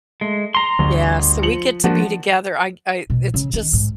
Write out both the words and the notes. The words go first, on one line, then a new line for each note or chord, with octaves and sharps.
Yeah, so we get to be together, I'd I it's just
G#3 A3
A#5 C6 C7
G1 D2
F3 C#7 F#7
F3 A#3 D4 F#4
B2
C#3
D#3
G#2